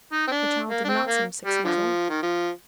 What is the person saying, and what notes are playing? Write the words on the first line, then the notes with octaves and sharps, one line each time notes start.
The child did not seem six years old.
D#4
C4
D4
A#3
D4
C4
A#3
G3
D3 F3
D#3
F3